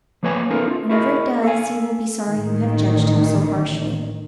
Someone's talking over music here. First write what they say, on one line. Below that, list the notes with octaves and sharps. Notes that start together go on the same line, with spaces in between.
'Whenever it does, you will be sorry you have judged him so harshly.'
F3 A#3 B4 C#5 G5 G#5
B3 C#4 D#4 F4 A4 A#4
D#4 F4
E4 F#4 G#4 A#4 D#5
A4 F5 G#5
A1 D#3